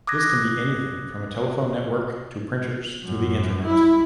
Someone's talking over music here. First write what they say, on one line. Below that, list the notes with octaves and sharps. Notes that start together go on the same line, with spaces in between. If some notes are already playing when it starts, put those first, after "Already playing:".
This can be anything from a telephone network, to printers, to the Internet.
D6 D#6 F#6 G#6 A#6
F#2
E4